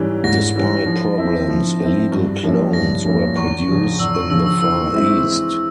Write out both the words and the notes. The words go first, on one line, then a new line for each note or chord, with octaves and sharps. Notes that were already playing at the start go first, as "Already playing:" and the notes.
Despite problems, illegal clones were produced in the far-east.
Already playing: G#2 E3 G3 C#4
G#2 A#6
E3 G3 C#4
F3
C4 E4
F3
C4 E4
G2
F3 A#3 C#4 E4
G2 A#6
F3 A#3 C#4 E4
E2 C#6
C#3 F3
E2 E6
C#6
C#3 F3 E6
E6
E3 E6
G#3 C4 E4
E3